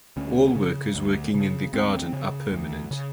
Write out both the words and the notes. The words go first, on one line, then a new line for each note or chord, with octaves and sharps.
All workers working in the garden are permanent.
D2 C#4
C#3
D2
C#3
D2 C4
C#3
D2
C#3